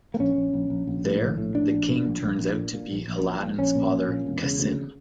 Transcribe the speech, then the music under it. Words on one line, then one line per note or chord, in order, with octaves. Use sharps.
There, the king turns out to be Aladdin's father Cassim.
A#3
A#1 C#4
A#1
A#1
A#1
A#1
A2
A#1
A2
A#1 D4
A#1
A#2
A#1
A#1
A#1
A#2
A#2
A#1
A#1
A#2
A#1
A#1 C#4
A#2
A#1
A#2
E1
C#3
D2